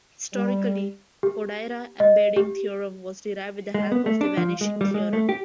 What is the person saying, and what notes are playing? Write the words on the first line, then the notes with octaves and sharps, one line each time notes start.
Historically, Kodaira embedding theorem was derived with the help of the vanishing theorem.
G3
G4
D#5
G4
G#3
B3
A3
D4
F3
G#3
G3
G#3
A3
G4